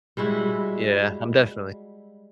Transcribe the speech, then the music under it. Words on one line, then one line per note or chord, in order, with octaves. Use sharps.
Yeah, I'm definitely
G3 G#3 E4 F#4